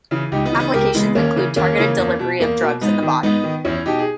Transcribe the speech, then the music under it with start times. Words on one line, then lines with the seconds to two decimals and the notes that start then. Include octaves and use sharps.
Applications include targeted delivery of drugs in the body.
0.11 C#3 E3
0.32 C#2 D#4 G4
0.45 B3 D#4
0.52 C#3 E3
0.60 B3 D#4
0.73 C#2 G4 A#4
0.94 C#3 E3 G#3 B3
1.15 D#2 A#3 C#4
1.36 C#3 E3
1.56 D#2 A#3 C#4
1.78 C#3 E3
1.98 E2
2.19 B2
2.39 E2 A#3
2.61 B2
2.81 G#2 B3 D#4
3.02 D#3
3.23 G#2 B3 D#4
3.44 D#3
3.65 E2 C#4 E4
3.86 B2 D#4 G4
3.99 G#4